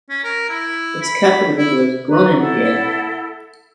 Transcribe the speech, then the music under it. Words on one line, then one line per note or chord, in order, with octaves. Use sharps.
Its capital was Groningen.
C#4
A#4
E4
B5
E4
B4 A#5
E4 A4 F#5